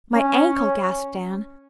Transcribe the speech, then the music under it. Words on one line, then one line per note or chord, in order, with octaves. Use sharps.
"My ankle," gasped Anne.
C#4